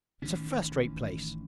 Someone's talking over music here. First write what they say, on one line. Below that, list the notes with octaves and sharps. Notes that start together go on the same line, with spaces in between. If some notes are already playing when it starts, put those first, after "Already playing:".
It's a first-rate place!'
A1 D#3 C#4